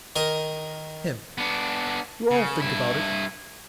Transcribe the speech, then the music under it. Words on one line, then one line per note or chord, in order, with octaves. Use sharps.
HIM: I'll think about it.
D#3 A#4 D#5
B3 D4
C#3
G2 E4